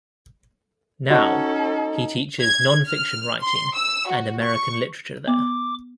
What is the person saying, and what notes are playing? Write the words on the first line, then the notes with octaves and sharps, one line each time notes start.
Now, he teaches nonfiction writing and American literature there.
C#4 D#4 F#4 A4 D#5 A5
G#6
F6
C6
E6
F#4
C#6
B3 D6